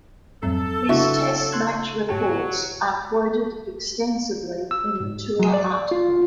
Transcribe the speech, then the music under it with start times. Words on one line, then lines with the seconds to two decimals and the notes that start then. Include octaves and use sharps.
His Test match reports are quoted extensively in the tour article.
0.43 F2 G#2 F#3 C4 A4
0.89 C#3 D4 E4 F#4 E5
1.52 C6 F#6 G#6
2.09 G#2 F#3 G4 A5
4.71 E6
5.00 G#2
5.39 F#3
5.54 D5
5.91 F4